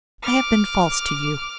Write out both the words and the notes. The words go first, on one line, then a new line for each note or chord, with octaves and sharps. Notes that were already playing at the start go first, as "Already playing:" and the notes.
I have been false to you.
D6 F6